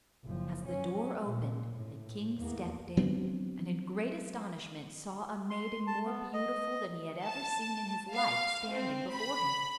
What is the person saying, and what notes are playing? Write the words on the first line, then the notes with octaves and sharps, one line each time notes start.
As the door opened, the king stepped in, and in great astonishment saw a maiden more beautiful than he had ever seen in his life standing before him.
F#1 F3
F#3 C#4
A#2
A2
E2 A#3
F#3 B3 C4 D4
C6
A5
B3
D#5
A5
F5
C4
B5